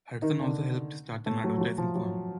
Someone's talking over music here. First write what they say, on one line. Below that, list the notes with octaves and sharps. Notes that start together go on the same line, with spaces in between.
Hudson also helped start an advertising firm.
D#3 D#4
D3 D4
A2 A3
F#3
F3
F#3
F3
F#3